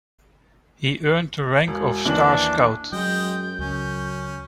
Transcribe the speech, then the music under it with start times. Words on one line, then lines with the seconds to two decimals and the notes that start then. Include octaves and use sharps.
He earned the rank of Star Scout.
1.67 E1
2.05 D#2 E3 D4 F#7
2.92 F#2 F#3 G#3 D#5 G5 G6
3.59 C#2 C#4